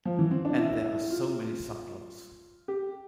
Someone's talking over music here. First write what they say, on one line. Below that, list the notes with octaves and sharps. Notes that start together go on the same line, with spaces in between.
And there are so many subplots.
F3
E3
C4
D4
E4
F4
G4